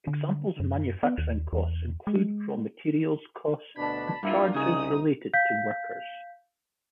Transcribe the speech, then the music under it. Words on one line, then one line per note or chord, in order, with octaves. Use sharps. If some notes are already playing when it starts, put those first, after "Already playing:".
Examples of manufacturing costs include raw materials costs and charges related to workers.
D3
F#2
B3
D#2
E2
G#3
D2 B2 D4 A5 B5
G2 A#3 E4 F4
C2 C#3 D#4 G#4 D#6
F5 G6 B6